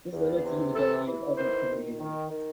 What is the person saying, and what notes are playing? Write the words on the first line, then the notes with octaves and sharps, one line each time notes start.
This limits usability of over-provisioning.
E2
C3
E3 A4
E3
D#3 C5
D#3
D#3
D#3